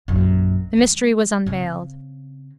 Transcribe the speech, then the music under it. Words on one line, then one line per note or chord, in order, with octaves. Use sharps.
The mystery was unveiled.
A#1 F#2
G#3
C#3 C4